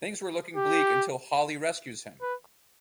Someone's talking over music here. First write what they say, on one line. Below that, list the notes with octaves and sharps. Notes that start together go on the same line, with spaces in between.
Things were looking bleak until Holly rescues him.
G4
B4